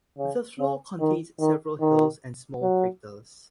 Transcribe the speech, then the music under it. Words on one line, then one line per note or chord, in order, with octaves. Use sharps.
The floor contains several hills and small craters.
C#3
C#3
D#3
D#3
D#3
F#3